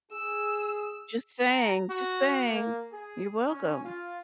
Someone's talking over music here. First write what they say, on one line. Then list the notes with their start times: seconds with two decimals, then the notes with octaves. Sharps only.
Just saying, just saying. You're welcome.
0.12 G#4 E6
1.47 A#5
1.90 F#4
2.48 A#3
2.93 G#4
3.48 C#4
3.84 F4